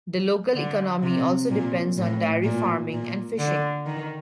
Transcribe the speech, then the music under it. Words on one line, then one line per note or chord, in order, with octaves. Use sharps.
The local economy also depends on dairy farming and fishing.
D3
C3
A#2
A2
A#2
A#2
D3
D#3